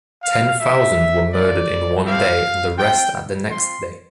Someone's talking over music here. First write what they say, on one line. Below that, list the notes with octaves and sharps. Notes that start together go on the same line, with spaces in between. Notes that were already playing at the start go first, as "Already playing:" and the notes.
Ten thousand were murdered in one day and the rest at the next day.
F5
A3 E4 G4 E5
A#3 D4 F4 D5
A3 C4 E4 G4 F5
C4 F4 G5
C4 F4 C6